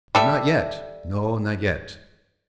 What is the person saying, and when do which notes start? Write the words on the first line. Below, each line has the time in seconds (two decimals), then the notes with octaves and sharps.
But not yet--no, not yet.
0.15 G3 A4 E5